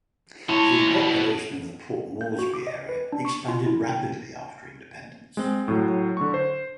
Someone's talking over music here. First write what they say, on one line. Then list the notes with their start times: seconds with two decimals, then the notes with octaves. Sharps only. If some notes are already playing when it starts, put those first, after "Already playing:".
The population of the Port Moresby area expanded rapidly after independence.
0.49 G#3 E4 C#5 A5
0.87 F2 B2
2.21 G6
2.39 F#4
2.54 D6
2.67 D#5
2.89 B4
3.12 D4
3.25 C#6
3.48 F4
3.66 E4
3.89 G5
5.37 G#3 C4
5.68 A2 F#3
6.17 D3 C#6
6.34 C5